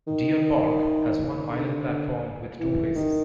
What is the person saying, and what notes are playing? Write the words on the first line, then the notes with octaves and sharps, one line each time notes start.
Deer Park has one island platform with two faces.
D#3
D3
E3
D#3